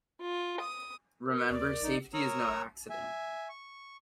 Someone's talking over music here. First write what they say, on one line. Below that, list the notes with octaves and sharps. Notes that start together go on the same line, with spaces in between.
Remember safety is no accident.
F4
D#6
A#4
D#2 D5
A#1 D#4
A#4 C#5 A#5 D#6 E6
E5 G#5
C#6